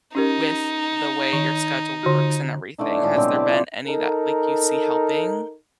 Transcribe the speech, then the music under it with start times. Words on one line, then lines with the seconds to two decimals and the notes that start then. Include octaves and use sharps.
with the way your schedule works and everything? Has there been any that, like, you see helping?
0.15 C#4 D#4 G4 A#4
1.33 D#3
2.03 D3 F4 F#4
2.78 D3 E3 A3 D#4
3.03 A2 F3 G#3 A5
3.15 B2 D3 F#3 C4
3.33 E4 G4 D5
3.49 F3 C5
3.86 D#4 A4 A#4